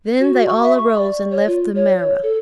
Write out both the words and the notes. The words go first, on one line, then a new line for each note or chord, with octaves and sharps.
Then they all arose and left the marah.
F#4
C#6
E5
C#6
D5
C#5
F4
C#5
C#5
A4